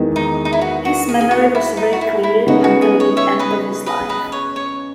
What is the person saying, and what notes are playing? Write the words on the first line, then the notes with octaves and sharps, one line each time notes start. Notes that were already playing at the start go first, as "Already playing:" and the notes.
His memory was very clear until the end of his life.
Already playing: E2 D#3 G#3
D#4
D#4
E4
F#4
F#4
G#4
G#4
F#4
E4
D#4
F#4
E4
E4
C#3 G#3 B3 D#4 F#4
F#4
G#4
C#5
C#5 E5
B4 D#5
B4 D#5
B4 D#5
C#5
C#5